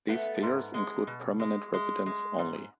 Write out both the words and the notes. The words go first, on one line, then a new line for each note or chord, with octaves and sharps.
These figures include permanent residents only.
A3 B3
G#2
G#3
B2
G#3
G#3
G#3
G#2